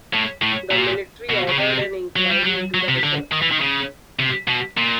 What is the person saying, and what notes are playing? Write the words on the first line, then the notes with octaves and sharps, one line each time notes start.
The Military ordered an inquiry into the vessel.
A2
A2
A#2
B2
C#3
C3
F#3
G3
F#3
F#3
C3
D3
D#3
E3
D#3
C#3
C3
B2
A#2